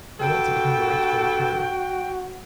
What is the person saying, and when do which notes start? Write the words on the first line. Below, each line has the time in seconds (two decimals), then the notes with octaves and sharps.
I want to become a Restaurateur.
0.20 G2 F#4 A4 G5